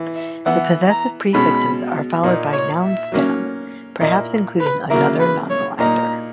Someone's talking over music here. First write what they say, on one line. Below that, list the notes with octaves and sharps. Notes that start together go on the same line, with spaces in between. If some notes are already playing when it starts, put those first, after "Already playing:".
The possessive prefixes are followed by noun stem, perhaps including another nominalizer.
Already playing: E3
E5
E3 B3 E4 F#5
A#5
B2 G#3 C#4 B5
A#2 A#3 D#4
C#5
E5
F#3 A#3 C#4
A#2 A#3 E4 D#5
B4
C#3 F#3 A#3 E4 A#4
B4
C#5
A#2 A#3 D#4 A#5